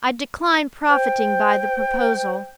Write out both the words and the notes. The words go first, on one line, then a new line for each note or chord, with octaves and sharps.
I decline profiting by the proposal.
C5 G5